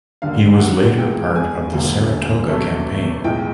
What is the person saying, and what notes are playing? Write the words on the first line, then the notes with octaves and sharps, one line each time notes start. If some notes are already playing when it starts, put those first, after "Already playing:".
He was later part of the Saratoga Campaign.
D#2 D3 G3 A#3 D4 F5
F#5
G2 E3 G#3 B3 G5
G#5
E1 D2 D3 F#3 A#3
E2 B2 F#3 A3 C#4
B1 A2 E3 G#3 G5